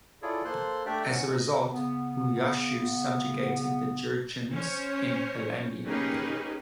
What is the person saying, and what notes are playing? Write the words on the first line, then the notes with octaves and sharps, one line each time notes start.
As a result, Wuyashu subjugated the Jurchens in Helandian.
E4 F4 G#4 A4 C#5 D5
A#3 A4 C5 C6 F#6
A3 D4 G4 D5 E5
C#4 F#5
D#5
C#3 B3
C#4 C5 C#5
A#3 C#4 D#4 G4 G#4 B4